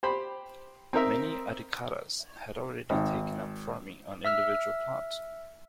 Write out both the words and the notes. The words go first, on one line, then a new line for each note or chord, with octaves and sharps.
Many Arikaras had already taken up farming on individual plots.
G4 C5 B5
C4 D#4 A#4 E5
G#1
E5 E6 F6